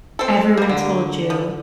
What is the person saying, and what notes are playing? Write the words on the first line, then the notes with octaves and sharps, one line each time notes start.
everyone told you,
C4 A4
G3 A#3
D3
F3